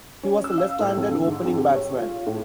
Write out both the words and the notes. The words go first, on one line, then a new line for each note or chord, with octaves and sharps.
He was a left-handed opening batsman.
C#4
E6
F5
A2
F2
D3
G#2
F2
G4
C#5
F4
A2